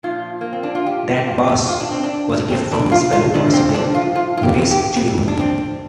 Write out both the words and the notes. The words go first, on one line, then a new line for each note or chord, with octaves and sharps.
That bass was a gift from his fellow bass player Horace "Chili" Ruth.
A#2 F3 F4
A#3
C4
D4
F4
G4
G4
F4
F4
D4
C4
D4
C4
D4
F4
F4
G2 D3 F3 D4
C4
D4
F4
F4
F4
G4
G4
D4
C4